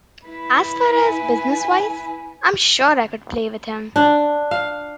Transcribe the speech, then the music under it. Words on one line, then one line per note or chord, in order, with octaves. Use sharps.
As far as business-wise, I'm sure I could play with him.
E4 B4
G#5
D4
F5